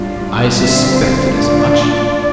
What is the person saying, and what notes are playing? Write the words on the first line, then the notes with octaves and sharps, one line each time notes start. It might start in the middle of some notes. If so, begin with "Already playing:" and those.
I suspected as much.
Already playing: A2 G3 D4 F4
D3 G3 C4 F4 E5
C5
A#2 A3 D4 F4 D5